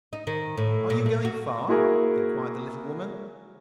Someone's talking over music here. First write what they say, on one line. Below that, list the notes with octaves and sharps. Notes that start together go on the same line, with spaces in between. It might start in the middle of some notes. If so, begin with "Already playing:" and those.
Are you going far?' inquired the little woman.
D#4
D#3
A2
A#2
A3
F#4
A#3 E4 F#4 G#4 A#4